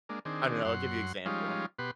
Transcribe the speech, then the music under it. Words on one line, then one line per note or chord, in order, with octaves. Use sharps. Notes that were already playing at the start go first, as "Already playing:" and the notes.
I don't know, I'll give you example.
G#3 A#3 D4
D#3 C4 D4 G#4
F#2 F#5 C6
F3 G3 G#3 C#4 D#4 F4
B2 G4 B4 F#5 C6